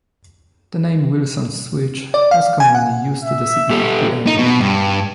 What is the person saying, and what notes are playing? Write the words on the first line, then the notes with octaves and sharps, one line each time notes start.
The name "Wilson's Switch" was commonly used to designate the area.
D5
F5
G#5
F#5
E5
G2 G4 A4
D#4
B2
G2